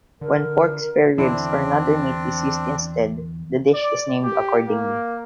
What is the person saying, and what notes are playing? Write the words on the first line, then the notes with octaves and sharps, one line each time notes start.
When pork spareribs or another meat is used instead, the dish is named accordingly.
D3 A#4
E2 D3 C4 D4 E4
D5
G4
A#3